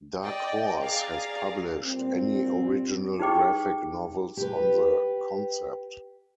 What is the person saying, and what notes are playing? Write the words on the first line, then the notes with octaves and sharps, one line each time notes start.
Dark Horse has published any original graphic novels on the concept.
D5 D#5 G5
G#4 D5 F5 A#5
A#2 G3 C4
D#4 G4 G#4 B4 G5 D6
G4 B4